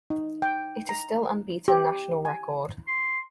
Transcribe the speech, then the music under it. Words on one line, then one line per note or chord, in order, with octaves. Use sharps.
It is still unbeaten national record.
D#4
G5
A#5
G4
G#5
C6